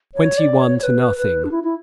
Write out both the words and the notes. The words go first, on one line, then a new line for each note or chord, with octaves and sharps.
"Twenty-one to nothing."
C#5
D5
C#5
C#5
B4
B4
D4
E4
E4